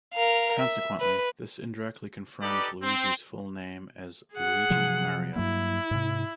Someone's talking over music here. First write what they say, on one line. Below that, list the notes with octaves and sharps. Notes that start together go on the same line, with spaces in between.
Consequently, this indirectly confirms Luigi's full name as Luigi Mario.
A#4 F5
E5
B4
D#4 G4 A4 B4 D5
C4
G#4 F#5
C3 F3 F#3
G2 F#3 A#3 E4
G#2 C3